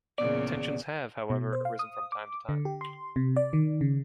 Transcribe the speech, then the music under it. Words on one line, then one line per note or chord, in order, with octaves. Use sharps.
Tensions have, however, arisen from time to time.
E2 A#2 C#3 D5
B2
C5
F5
D#6
D6
D3
G4
C6
C3
D5
D#3
C#3